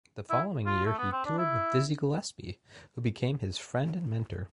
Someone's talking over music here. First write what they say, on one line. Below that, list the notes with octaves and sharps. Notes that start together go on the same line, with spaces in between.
The following year he toured with Dizzy Gillespie, who became his friend and mentor.
E4
F4
A3
B3
C4
D4
E4